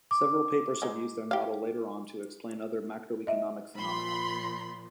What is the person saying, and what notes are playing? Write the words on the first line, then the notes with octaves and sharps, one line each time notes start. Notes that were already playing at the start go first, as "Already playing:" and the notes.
Several papers have used their model later on to explain other macroeconomic phenomena.
D6
G#3 D#4
G4 F5
D#5 E5
A#2 F3 B5 C6